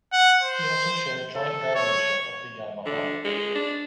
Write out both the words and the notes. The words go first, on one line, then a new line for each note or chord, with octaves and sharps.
He also shared joint guardianship of the young Muhammad.
F#5
C5
A4
C#5
D3
G#3
D4